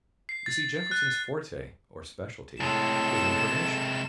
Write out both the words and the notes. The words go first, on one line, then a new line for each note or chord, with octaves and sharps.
You see, Jefferson's forte, or specialty, was information.
C7
A6
F#6
A2 C3 G#3 A4 E7